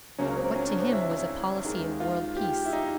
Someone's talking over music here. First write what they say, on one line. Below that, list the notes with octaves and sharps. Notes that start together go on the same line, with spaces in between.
What to him was a policy of world-peace?
C#2 C#3 F#3 A#3 C#4
C4
C#4
D4
C4
E4
E4
D#2 D#3 G#3
F4
G4
E4
D#4